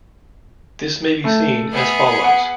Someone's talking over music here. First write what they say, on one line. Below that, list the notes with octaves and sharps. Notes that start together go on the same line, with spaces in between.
This may be seen as follows.
A3
B3 G#4
F#5